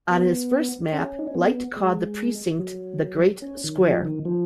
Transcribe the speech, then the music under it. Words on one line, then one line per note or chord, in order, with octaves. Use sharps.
On his first map, Light called the precinct 'The Great Square'.
B3
C#4
D#4
C#4
B3
G#3
F#3
C#4
D#3
F3
D#3
F3